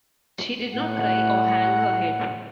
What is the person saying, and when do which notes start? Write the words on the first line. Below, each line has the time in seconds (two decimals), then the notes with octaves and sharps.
She did not cry or hang her head.
0.74 A2 F#5